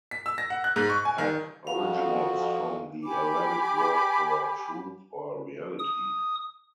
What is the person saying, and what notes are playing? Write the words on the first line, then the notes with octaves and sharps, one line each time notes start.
Haqq originates from the Arabic word for truth or reality.
B6
E6
A#6
F#5
F#6
G#2
C#6
G#5
D#3
F2 F#4 F5
G4 G#5 B5 D6
D#6